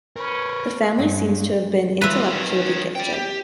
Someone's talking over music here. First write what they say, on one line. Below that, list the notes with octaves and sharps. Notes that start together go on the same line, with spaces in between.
The family seems to have been intellectually gifted.
C#4 A#4 B4
G2 F#5
E3 F4 B4 E5
D#3 C#4
D5 G5
G4